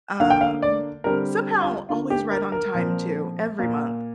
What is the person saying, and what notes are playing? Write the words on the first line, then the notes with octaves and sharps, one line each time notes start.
um, somehow always right on time too every month.
D3 A#3 F5
G5
F5
D5
D3 G3 C4 A#4
F4
D3 A#3 F4
G4
A#4
A#4
A#2 F3 C4
A#2 A#3